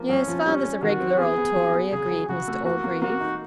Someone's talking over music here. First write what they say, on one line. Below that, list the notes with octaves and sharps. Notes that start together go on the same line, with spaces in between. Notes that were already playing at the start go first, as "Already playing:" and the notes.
"Yes, father's a regular old Tory," agreed Mr Orgreave.
Already playing: F3 A#3
F#2 C#4
F3
G3 C#4
G3
D#3 F#4
C4
B3 G#4
B3
F#3
B3
C#3 G#4
F#3
C#3 F#4
A3
A#3 F#4
A#3
A#3 F#4
D#4